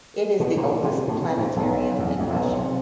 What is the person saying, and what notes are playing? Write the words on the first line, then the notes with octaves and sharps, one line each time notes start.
It is the oldest planetarium in Russia.
B2
A#2
C3
A2
B2
G#2
B1
E2
F2
B1
C3